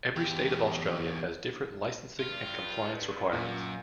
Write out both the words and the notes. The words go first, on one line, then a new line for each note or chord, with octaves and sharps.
Every state of Australia has different licensing and compliance requirements.
E2 G4
G2 F4
F#2 A#2